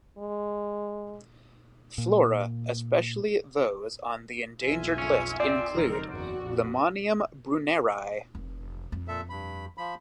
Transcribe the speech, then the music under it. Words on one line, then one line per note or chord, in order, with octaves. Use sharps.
Flora especially those on the endangered list include "Limonium brunneri".
G#3
A#2
B1 F2 F4 E5 G#5
C#4
C4 D5
F1 F#2 D3 D#4 A#4
F#1 E2 F#4
A#1 F2
F1
F2
A#2 A4 E5
G2 B5
F3 B5